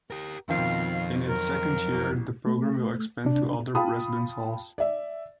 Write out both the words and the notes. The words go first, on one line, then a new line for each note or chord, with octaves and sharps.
In its second year, the program will expand to other residence halls.
G4 A#4
F2 B2 D#3 F3 C4 F5
F#3 A#4
A1
A3
C3 D4
F4 G5 A5 B5 D#6
D5 E5